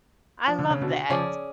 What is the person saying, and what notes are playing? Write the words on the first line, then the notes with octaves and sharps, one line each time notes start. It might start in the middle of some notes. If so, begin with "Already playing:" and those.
I love that.
F3
D3
C#3
B2 D3
C#3 F3 C#4 G#4 D5